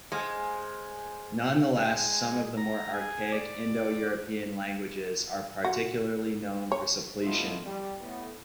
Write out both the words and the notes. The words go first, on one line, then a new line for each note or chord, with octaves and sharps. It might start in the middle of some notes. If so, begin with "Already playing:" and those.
Nonetheless, some of the more archaic Indo-European languages are particularly known for suppletion.
G#3 C5 F5 G#5
G#3
A#5
G#4
D5
F#4
C#5
F3 G#3 A3 B3 E4 F4
G3
A2 B3